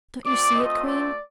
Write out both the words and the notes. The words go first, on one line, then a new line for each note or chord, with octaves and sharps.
Don't you see it, queen?
A3 C4 F4 D5 D6
D#5 D#6
D5 D6